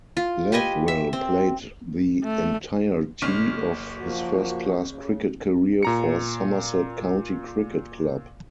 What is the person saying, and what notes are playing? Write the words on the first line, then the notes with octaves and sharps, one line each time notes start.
Lathwell played the entirety of his first-class cricket career for Somerset County Cricket Club.
F4
G4 B4 D#5 G#5
E5
C4
A3
F#1 C#4 F6
F3 A#3 F#4
C#3
A#2 A#5 C#7